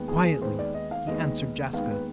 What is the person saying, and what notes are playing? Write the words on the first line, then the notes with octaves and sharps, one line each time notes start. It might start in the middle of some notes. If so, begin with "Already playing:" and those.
Quietly be answered Jaska.
Already playing: D#2 D#3 G#3 B3
G#4
G#4
D#2 D#3 G#3 B3 C5
D5
D#5
F5
D#2 D#3 G#3 B3 D#5
D#2 D#3 G#3 B3 F5
B4